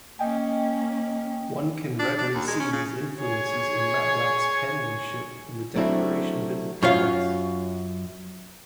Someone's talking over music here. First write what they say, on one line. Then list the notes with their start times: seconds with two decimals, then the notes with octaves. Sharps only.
One can readily see these influences in Matlack's penmanship in the Declaration of Independence.
0.19 A#3 C#4 D#5 G5 G#5
1.99 D4
2.18 D4
2.35 D#2
2.47 G#3
2.60 C#4
2.73 C#3
3.20 G#4 C#5
5.75 F#3 A3 C4 D4 E4 F#4
6.83 F#2 F4 C#5 F5